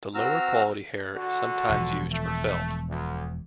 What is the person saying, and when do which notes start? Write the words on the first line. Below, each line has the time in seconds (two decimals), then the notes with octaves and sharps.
The lower quality hair is sometimes used for felt.
0.15 C4 F#4 A#5 E6 F6
1.16 D3 F#4
1.69 E1 F3
2.12 A3
2.89 D2